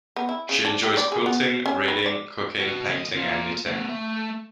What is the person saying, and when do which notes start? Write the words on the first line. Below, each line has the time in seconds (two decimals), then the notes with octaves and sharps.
She enjoys quilting, reading, cooking, painting, and knitting.
0.16 B3
0.29 E4
0.49 C#3
0.65 D4
0.83 G3
0.97 D5
1.12 G#4
1.26 B3
1.66 C#4
1.88 B4
2.06 D5
2.60 F#4 B4
2.88 D2 D#5
3.17 A#3 F4
3.66 A3 B3
3.89 A3